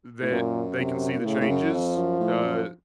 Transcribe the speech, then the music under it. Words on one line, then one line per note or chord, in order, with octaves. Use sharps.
That they can see the changes, uh,
A2
F#2 A#2
C3
A#2
A2 C#3
A2
F#2
F2 F3
F#2
A2
F#2